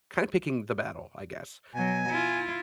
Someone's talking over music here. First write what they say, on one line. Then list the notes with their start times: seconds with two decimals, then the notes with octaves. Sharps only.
kinda picking the battle, I guess.
1.74 B2 F#3 G#5
2.09 E4 F4